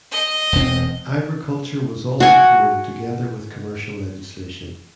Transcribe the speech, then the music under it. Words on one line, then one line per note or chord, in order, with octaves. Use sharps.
Agriculture was also promoted together with commercial legislation.
D#5
E1 C4
F#4 G#5